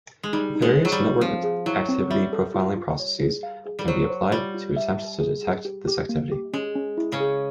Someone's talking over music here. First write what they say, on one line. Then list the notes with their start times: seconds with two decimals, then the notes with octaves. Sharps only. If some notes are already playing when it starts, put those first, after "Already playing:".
Various network activity profiling processes can be applied to attempt to detect this activity.
0.23 G#3
0.33 G3 D#4
0.55 D#4
0.62 G#3
0.77 C5
0.85 F#3
0.92 G3
1.00 D#4
1.21 F3 C4
1.43 G#4
1.66 F#3 E4
1.89 C4
2.11 G3 E5
2.33 A4
2.54 F4
2.77 F4
3.00 C#5
3.21 G#4
3.43 F5
3.66 G#4
3.79 G3
3.88 F#3 C5
4.10 C5
4.32 G3 F4
4.54 F4
4.77 E5
4.98 E5
5.21 G#4
5.43 G#4
5.65 G4
5.87 G4
6.09 A#3
6.32 G4
6.54 G#3 C#4
6.75 C#4
6.98 E4
7.12 C#3 C#4
7.20 G#4